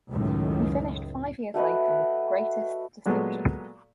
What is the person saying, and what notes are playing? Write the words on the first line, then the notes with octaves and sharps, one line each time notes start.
He finished five years later with greatest distinction.
C#2 F#2 A2 D#3
A3 F#4 B4 D#5
A#2 F#3 G#3 A3 B3